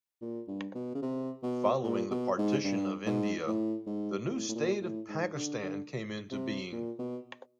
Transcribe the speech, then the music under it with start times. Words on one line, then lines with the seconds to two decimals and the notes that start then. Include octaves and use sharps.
Following the partition of India, the new state of Pakistan came into being.
0.21 A#2
0.48 G2
0.75 B2
0.95 C#3
1.02 C3
1.43 B2
1.84 A#2
2.11 B2
2.38 G#2
2.64 G2
3.06 G#2
3.47 A2
3.86 G#2
4.28 A2
4.49 A2
4.55 A#2
4.81 A2
5.09 G#2
5.36 D3
5.63 D3
6.31 C3
6.72 A#2
6.99 B2